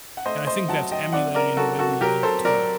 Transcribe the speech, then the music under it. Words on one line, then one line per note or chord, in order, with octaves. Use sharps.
And I think that's emulated in the way we live, too.
F#5
A3 C5 D#5
C5 D#5
F#3 F#5 A5
D#5 G5
C4 D5 F#5
A#4 D5
F#3 F#4 A4
F#4 A4
F#3 G4 A#4
A4 C5
F#3 A#4 D5